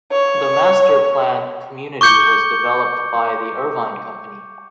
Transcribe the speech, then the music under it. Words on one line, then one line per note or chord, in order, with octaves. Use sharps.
The master-planned community was developed by the Irvine Company.
C#5
C#6 D6 G6 C#7 G7